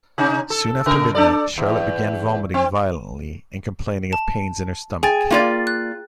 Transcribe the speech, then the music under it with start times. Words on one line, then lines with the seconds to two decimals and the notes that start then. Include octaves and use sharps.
Soon after midnight, Charlotte began vomiting violently and complaining of pains in her stomach.
0.18 C3 C#4 D#4
0.50 A4
0.86 C#3 A#4
1.15 D4 A4 D5
1.58 E2
2.54 C4
4.13 A5
5.03 G#4 G5 G#5 A6
5.31 A#3 F4 D5
5.67 F#6